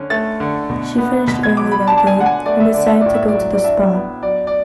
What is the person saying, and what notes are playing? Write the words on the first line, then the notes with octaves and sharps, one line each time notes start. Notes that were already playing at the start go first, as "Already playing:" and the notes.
She finished early that day, and decided to go to the spa.
Already playing: D3 C#4
A3 A6
D3
B2
B3
B2 B6
G#6
F#3 D6
B5
D4 A5
A5
G#5
D3 F#5
G#5
A3 D5
E5
D3 D5
E5
A2 D5
E5
D5
F#3
D5
D4 E5
B3
F#3 D5
D5